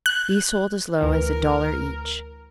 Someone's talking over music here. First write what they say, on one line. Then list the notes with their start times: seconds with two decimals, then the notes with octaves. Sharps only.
These sold as low as a dollar each.
0.06 F#6
1.01 D2 E3 A#4